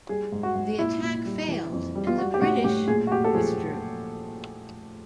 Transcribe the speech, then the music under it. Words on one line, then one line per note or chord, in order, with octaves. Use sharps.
The attack failed and the British withdrew.
G3 G#4
G#2
F#4
G#2
A#2 E4
A#2
G3
E3
F2
G3
F4
G3 F#4
G4
A2 F#4
A2 G4
A#2 G#4
F#4
A#2 G4
A4
F3 G#4